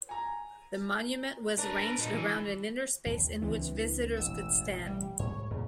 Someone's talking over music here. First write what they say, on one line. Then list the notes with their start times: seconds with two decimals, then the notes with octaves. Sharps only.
The monument was arranged around an inner space, in which visitors could stand.
0.09 G#5 A#5
1.58 D4 A#4 B4
1.98 A#2 D#4
2.13 E3
3.06 D#2
3.42 C#2 E3 C4 D4
4.17 E1 A1 E3 E6
4.87 G3
5.19 G#2 C#5
5.51 F2 A#2 C#3 F#3